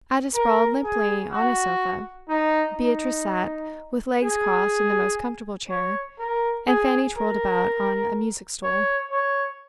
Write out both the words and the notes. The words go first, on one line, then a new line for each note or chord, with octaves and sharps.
Ada sprawled limply on a sofa; Beatrice sat with legs crossed in the most comfortable chair; and Fanny twirled about on a music stool.
A#4
G#4
F#4
D#4
D#4
G#4
C#5
A#4
G#4
A#4
C#5
C#5